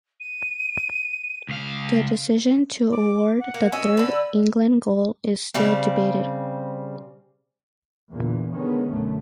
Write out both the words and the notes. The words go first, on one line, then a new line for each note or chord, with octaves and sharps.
The decision to award the third England goal is still debated.
D#7
C#2 F5
D6
F#5
A#3
C#4 F#4 D#5 E6
D3 B4
C#3 G3 C4
E2 A#2 D3 E3
D3 D#3 G#3 B3 C#4
B1 F#2 D3 A3